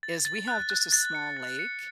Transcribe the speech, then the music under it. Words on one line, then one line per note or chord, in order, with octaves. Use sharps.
is we have just a small lake,
A6
A6
F#6
F#6
A6
C#7
A6
C#7